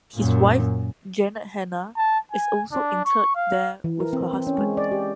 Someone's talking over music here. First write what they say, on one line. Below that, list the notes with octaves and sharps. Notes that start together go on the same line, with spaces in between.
His wife, Janet Hannah, is also interred there with her husband.
F#2 A#2
A5
G#5
D4
C#6
F5
E3
A#4
C4
C4
C#4
G#3
D5
G4